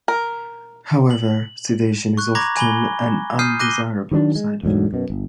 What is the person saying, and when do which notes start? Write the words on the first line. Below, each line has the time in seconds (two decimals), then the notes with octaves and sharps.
However, sedation is often an undesirable side effect.
0.08 A#4
1.11 F#7
2.17 C#6 F#6
2.35 A#5 B5 C#6 D6 G#6 A#6
2.57 G#5 B5 G7
3.39 D#6 F6 G6 C7 D#7
3.59 D6 F#6 A#6 D#7 G7
4.11 D#3 F#3 B3 D4
4.35 G#3
4.63 E1 D2 G#2 F#3
4.93 F#2 B2
5.10 G1